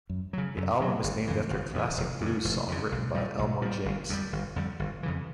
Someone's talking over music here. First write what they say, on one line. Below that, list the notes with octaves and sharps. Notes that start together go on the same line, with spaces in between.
The album is named after a classic blues song written by Elmore James.
F#2
C#3 F#3
F#2
C#3 F#3
G1
F2 C#3 E3
G1
F2 C#3 E3
F1
F2
C#3
F1
F2 C#3
B1
A#2 G3
B1
A#2 G3
G1
F2 D3 G3
G1
F2 D3 G3
G1
F2 C#3 E3